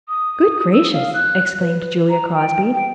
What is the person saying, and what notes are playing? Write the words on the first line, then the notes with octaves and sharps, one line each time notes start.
"Good gracious," exclaimed Julia Crosby.
D#6
E6
F5
F#6
B4
A#5
G5
G5